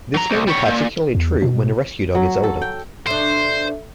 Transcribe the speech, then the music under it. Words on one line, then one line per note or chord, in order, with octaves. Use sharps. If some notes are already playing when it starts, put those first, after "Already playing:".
This may be particularly true when the rescue dog is older.
F#3 A#5
C2
G3 C#5
A#2
E2
B2
F#3
A4
G5
B2 D4 A4 C5 E5